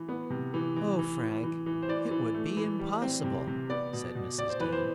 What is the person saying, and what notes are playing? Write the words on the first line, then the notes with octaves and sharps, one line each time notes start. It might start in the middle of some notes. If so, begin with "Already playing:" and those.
"Oh, Frank, it would be impossible!" said Mrs. Dean.
Already playing: E3
B3
C3
E3
E3
E3
E3
E3
E3
C5
E3 D5
E3
A3
E3
G3
C4
C3
C3
B3 D5
B2
B2
B2 D5
C5
E3 B4
C5